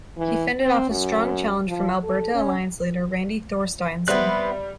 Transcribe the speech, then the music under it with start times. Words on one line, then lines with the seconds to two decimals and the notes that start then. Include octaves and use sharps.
He fended off a strong challenge from Alberta Alliance leader Randy Thorsteinson.
0.18 E3
0.59 C4
0.90 F#2
1.68 F3
2.03 A4
2.34 C#4
4.08 G3 B3 C4 B4 E5 F#6